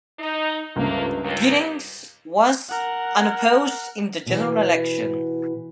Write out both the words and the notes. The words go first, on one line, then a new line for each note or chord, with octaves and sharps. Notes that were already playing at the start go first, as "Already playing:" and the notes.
Giddings was unopposed in the general election.
D#4
C#2 G2 F3 A3 A#3
D#2
A#4 F#5
B2 E3